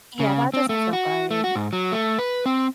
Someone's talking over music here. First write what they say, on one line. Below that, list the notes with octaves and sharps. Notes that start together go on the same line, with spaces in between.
Yeah, that doesn't feel good,
C#3
C4
A3
F#4
A3
F#4
G#2
F#3
A3
B4
C4